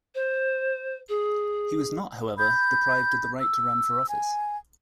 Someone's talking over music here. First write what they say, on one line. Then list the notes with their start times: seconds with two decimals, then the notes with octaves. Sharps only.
He was not, however, deprived of the right to run for office.
0.15 C5
1.09 G#4
2.38 B5 G6
3.40 E6
4.07 G#5